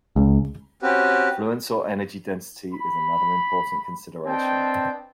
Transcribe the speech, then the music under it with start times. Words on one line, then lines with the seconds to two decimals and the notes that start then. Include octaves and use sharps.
Fluence or energy density is another important consideration.
0.16 C#2
0.82 C4 C#4 F#4 G4 B4
2.74 B5
4.27 C4 D4 B4 D#5 G5 A5